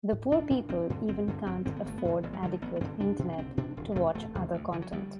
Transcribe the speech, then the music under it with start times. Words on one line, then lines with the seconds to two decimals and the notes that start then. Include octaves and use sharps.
The poor people even can’t afford adequate internet to watch other content.
0.13 A2
0.32 B1 D4
0.50 A2
0.69 G1 C4
0.90 G2 D3
1.08 G1 C4
1.28 G2 D3
1.47 G1 C4
1.66 G2 D3 C4
1.76 B3
1.85 G1 A3
1.98 B3
2.05 G2 D3
2.23 A1 E3
2.33 F#3
2.43 G2 D3 G3
2.52 A3
2.62 A1 B3
2.76 B3
2.81 G2 D3 C4
3.00 C2 D4
3.19 B2
3.33 D4
3.38 C2 C4
3.57 B2 D4
3.77 E1
3.96 E2 C3 A3
4.15 E1 A3
4.35 E2 C3
4.54 D2
4.72 D3 E3
4.82 F#3
4.92 D2 G3